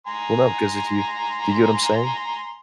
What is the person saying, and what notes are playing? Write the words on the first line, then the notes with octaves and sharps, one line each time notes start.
Well, no. 'Cause if you do you get what I'm saying?
G#5 A#5 C6